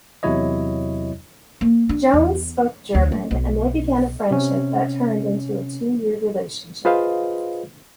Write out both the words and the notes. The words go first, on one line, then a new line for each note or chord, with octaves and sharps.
Jones spoke German and they began a friendship that turned into two-year relationship.
E2 C3 F#3 E4 C#5 D#5
A#3
D4
E2
D2
A3
B1
C3 C#4
F4 G#4 B4 C5 D#5 F5